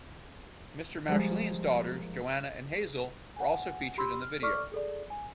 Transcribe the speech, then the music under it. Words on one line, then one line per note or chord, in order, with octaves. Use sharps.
Mr Mauchline's daughters Joanna and Hazel were also featured in the video.
F3 G3 G#3 A#3
F#5 G#5
G4 B5 C6 E6
F6
A4 D5 C#6 D6 F6
G#4 A4 D5
G#5